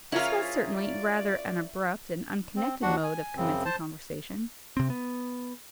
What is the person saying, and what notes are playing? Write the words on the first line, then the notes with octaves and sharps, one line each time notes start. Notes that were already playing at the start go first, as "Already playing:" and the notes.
This was certainly rather an abrupt and unconnected mode of commencing conversation.
F3 C#4 E4 F4 G4 G#4 A#4 F5
D5
C4
D#2 D4 F#4 F#5
G#5
F#2 C#3 C4
C5 A5
C3 C4
B3